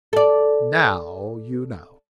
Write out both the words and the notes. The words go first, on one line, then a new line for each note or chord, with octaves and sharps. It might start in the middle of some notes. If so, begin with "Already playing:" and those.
Now you know.'
A4 D5